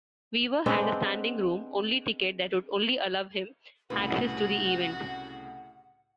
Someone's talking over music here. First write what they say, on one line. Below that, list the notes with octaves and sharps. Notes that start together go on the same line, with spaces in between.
Weaver had a standing-room-only ticket that would only allow him access to the event.
G#3 B3 C4 D4
C2 A2 C#3 F#4 B4 F#5